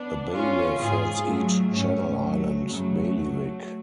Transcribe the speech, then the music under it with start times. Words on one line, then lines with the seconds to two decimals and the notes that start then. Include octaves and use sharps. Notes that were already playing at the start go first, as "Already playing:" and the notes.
A Bailiff heads each Channel Island bailiwick.
Already playing: B3 D4
0.34 C#4 F4
0.80 G#2 F4 G#4
1.26 F#3 A3
1.73 G#2 A3 C#4
2.19 F#3 A3
2.65 F#2 C#3 F#3 A3